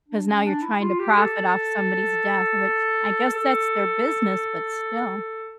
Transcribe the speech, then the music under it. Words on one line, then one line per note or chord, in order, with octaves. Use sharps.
'Cause now you're trying to profit off somebody's death, which I guess that's their business, but still.
D4
C#4
D4
E4
F4
G4
A4
A4